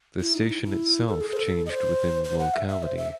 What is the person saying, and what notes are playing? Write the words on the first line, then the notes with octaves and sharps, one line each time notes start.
The station itself changed within the locality.
E4
D#4
E4
E4
A4
G#4
C5
A4
D#5
C5
C5
F#5
E5
E5
C5
E5